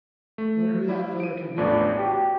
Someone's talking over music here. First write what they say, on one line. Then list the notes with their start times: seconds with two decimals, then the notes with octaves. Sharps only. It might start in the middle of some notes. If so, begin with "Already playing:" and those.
Wonder who that feller can be.
0.38 A3
0.89 G3 E4 G4
1.20 D7 D#7
1.58 A1 E2 A2 D4
1.98 F#4 G4